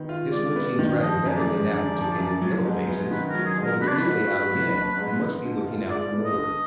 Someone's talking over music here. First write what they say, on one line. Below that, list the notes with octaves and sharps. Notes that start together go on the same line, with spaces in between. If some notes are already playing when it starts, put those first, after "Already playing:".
This wood seems rather better than that we took in at Yellow-Face's, but we're nearly out again, and must be looking out for more.
Already playing: D#3 B3
F4
G#3 D5
B3
D#3
F3 D#5
F#2
D5
G#3
D3
F3
F#2
F#3
G#2
B3
D#3 B4
A#4
F#3
G#4
G#2
A#4
D4 B4
D5
B4
G#2
F#4
F#3
D4
G#2
B3
D3
F4
G#3 D5
B3
D#5
D3